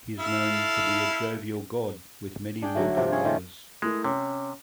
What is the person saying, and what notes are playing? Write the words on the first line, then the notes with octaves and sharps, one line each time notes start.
He is known to be a jovial god with many mortal lovers.
E4 A4 F5
D4 G#4 G5
D3 F#3 A3
C3 F3 A#3 C4
C4 C#4 G#4 C#5
A#2 D#3 A3 F4
G#3 A3 E4 A#4
C3 C#4